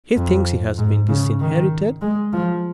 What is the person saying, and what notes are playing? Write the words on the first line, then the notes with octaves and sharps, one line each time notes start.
"He thinks he has been disinherited?"
F2
G#2
C#3
D#3
G#3
F3